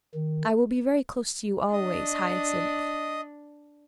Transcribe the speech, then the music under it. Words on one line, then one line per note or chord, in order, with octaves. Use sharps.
"I will be very close to you always, Hyacinth."
D#3
D4 D#5